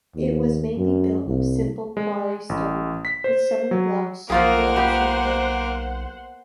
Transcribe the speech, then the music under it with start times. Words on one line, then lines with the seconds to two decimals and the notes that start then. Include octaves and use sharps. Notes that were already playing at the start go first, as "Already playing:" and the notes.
It was mainly built of simple quarry stone, but some of the blocks were also cut.
0.15 D#2
0.77 F#2
1.27 C2
1.97 G#3
2.49 A1
3.05 B6
3.24 C5
3.71 F#3
4.30 B1 F3 A#3 F4 G#4 A#4 C5 F#5
4.76 B3 G4